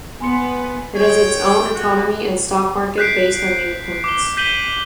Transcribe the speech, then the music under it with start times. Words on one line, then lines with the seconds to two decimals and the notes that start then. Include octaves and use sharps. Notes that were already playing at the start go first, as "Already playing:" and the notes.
It has its own economy and stock market based on Neopoints.
0.21 B3 B4 G#5 C6 C#7
0.96 C#5 G5
1.75 F#4
2.98 F#6 G6 B6 C7 D7
4.04 D6 G7
4.37 G6 B6 D#7 F#7 G7